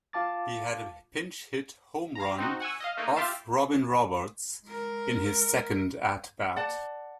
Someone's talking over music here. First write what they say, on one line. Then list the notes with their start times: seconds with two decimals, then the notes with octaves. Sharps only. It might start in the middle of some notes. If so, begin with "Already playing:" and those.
He had a pinch-hit home run off Robin Roberts in his second at bat.
0.13 F4 F5 A5 D6 A6
2.15 F5 A#5
2.38 C4 D#4 F#4
2.60 F#5 G#5 C#6 E6
2.80 D#5 F5
2.97 A3 A#3 D#4
3.16 F4 G4 E5 F5 A5
4.65 G#3 A#4
6.56 D5 F#5 A5